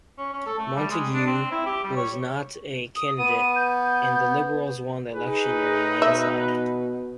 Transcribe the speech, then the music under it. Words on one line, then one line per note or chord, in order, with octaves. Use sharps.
Montague was not a candidate, and the Liberals won the election in a landslide.
C#4
C#4
A4
A3
G3
G#3
D4
C4
E4
G4
G3
C#5
D#6
B3 D#7
G6
D#4 G#4 B4
B2 E5